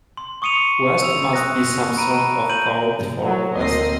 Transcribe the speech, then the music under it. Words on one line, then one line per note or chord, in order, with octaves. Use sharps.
West' must be some sort of code for 'quest.
C6
C#6 D#6 C#7 D#7 F7
E6 F7
D#6 F#6 A#6
A#5 B5 D7 D#7
G6 D7 D#7 F#7
F#3
D2 A#3 C4 D#5 C7